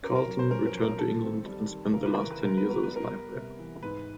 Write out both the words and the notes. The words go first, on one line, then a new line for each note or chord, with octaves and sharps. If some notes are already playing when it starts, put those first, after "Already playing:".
Carleton returned to England and spent the last ten years of his life there.
C#4 A#4
A#4
F#3
C5
C#4 A#4
A#4
F#3
A#4
D#3 A4
C4
G3
D#3
C#3 A#4
B4
E3 A#4
B4
G#3 A#4
B4
B3
A#4
B4
G3
A#4
G3
C3
E3
G#2 B4